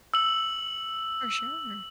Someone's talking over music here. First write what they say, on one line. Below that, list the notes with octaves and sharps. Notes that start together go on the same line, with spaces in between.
For sure.
E6 F#7